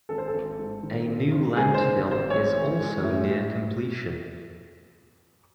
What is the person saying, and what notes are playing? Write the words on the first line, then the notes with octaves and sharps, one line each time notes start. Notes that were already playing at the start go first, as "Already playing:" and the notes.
A new landfill is also near completion.
G#1 A4
C5
A4
G#1
G#2
D#3
G#1
G#1
G#2 G#4
C5
D#3
G#1
C5
C4 C#5
E3
G#3
A2